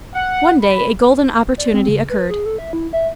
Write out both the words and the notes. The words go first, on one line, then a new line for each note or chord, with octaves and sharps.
One day a golden opportunity occurred.
F#5
B5
D5
C4
C#3
B4
G#4
A4
E5
E4
E5